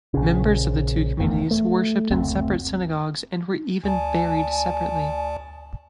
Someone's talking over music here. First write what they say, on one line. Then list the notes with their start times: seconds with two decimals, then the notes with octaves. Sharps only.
Members of the two communities worshiped in separate synagogues and were even buried separately.
0.14 A#1 C#3
1.19 F#1 E2 A3
1.51 A3
2.11 F#1 D2 A3 C4
3.84 D2 D5 G#5 A5